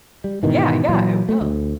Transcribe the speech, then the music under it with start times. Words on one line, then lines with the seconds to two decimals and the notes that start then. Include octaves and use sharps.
Yeah, yeah, it will.
0.24 G3
0.43 G#2 B2 D#3 E3
0.89 A#2 E3 F#3
1.29 A3
1.41 D2